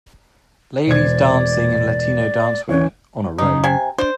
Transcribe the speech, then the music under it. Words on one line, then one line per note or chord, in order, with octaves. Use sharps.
Ladies dancing in Latino dancewear, on a road.
E1 C5 D5 G#6
E3 C#4 C#5
F#2 C#3 D#4
C3 G#5
D4 C5